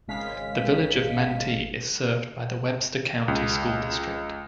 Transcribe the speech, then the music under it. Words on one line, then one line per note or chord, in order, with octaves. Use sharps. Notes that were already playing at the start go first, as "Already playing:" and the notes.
The Village of Mantee is served by the Webster County School District.
G#1 C#3 G#3 F5 B6
C#2